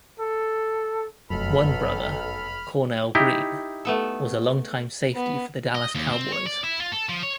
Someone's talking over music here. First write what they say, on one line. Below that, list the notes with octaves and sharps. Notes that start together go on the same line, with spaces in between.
One brother, Cornell Green, was a long-time safety for the Dallas Cowboys.
A4
F1 B1 F#2 A4 B5 F6
D#4 E4 G4
A3 B3 A4
B3
D#5
D#2
C4
C#5
D5
E4
F4
A4
F3
C#5